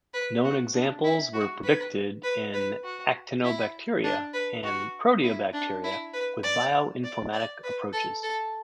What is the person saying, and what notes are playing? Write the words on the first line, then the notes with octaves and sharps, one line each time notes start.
Known Examples were predicted in Actinobacteria and Proteobacteria with bioinformatic approaches.
B4
F#4
D4
E4
F#4
B4
B4
B4
F#4
E4
D4
B4
F#4
E4
D4
E4
B4
D5
D5
D5
B4
A4
A4